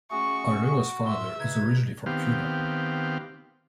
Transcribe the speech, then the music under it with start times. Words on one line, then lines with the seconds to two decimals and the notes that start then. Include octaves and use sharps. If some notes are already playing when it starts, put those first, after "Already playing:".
Arroyo's father is originally from Cuba.
0.11 A3 C#4 F#4 G#4 C#6
1.06 A2 E5 C6
1.39 C#3 D#4 B4 G#6
2.06 D#3 B3 C4 G4 F5